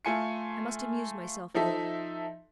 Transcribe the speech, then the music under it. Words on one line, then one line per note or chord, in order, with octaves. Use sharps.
I must amuse myself a little.
A3 F4 G#5 C6 C#7
F3 D#4 A4 E5